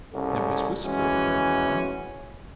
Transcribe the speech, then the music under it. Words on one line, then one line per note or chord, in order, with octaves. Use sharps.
There was whispering going on.
C2 C#3 C#4 A4
E3 G#3 C#4 F#4